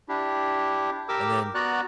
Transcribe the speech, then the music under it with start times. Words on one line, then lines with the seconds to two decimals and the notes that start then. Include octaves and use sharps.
and then
0.09 D4 E4 G4
1.09 G4 A#4 D6 E6
1.55 B3 F#4 D5 A#5 F#6